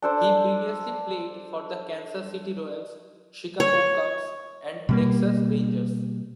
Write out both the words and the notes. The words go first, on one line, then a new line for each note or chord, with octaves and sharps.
He previously played for the Kansas City Royals, Chicago Cubs, and Texas Rangers.
D4 A4 C5
C#5
B2 G3 A#3